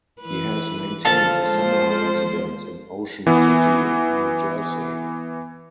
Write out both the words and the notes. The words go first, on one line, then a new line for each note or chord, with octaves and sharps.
He has maintained a summer residence in Ocean City, New Jersey.
E3 B4
D3 F3 A4 F5 A5
G#3 C5
E3 B3